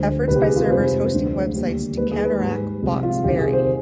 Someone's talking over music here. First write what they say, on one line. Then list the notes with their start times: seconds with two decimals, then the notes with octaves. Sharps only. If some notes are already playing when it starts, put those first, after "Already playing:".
Efforts by servers hosting websites to counteract bots vary.
Already playing: D2 D3 F3 G#3 C5
0.28 C2 C3 D#3 G3 B4
0.36 G4
0.42 G#4
0.56 F4
0.66 B4
0.70 F2 C3 F3 G#3 C5
1.13 D2 D3 F3 G#3
1.55 D#2 D3 G3
1.97 D#2 D#3 G#3 B4
2.11 G#4
2.25 B4
2.40 G#2 G3
2.82 C2 C3 F3 G#3
3.03 F4
3.24 C2 C3 D#3 G4
3.39 G#4
3.53 C5